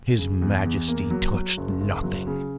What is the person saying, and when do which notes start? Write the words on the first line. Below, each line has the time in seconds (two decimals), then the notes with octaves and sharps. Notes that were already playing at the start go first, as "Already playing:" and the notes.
His Majesty touched nothing.
0.18 C#3
0.42 E2
0.65 E2
0.88 A#3
1.11 F#3
1.34 F#3
1.57 F#1
1.81 F#1
2.03 F#3
2.27 C#3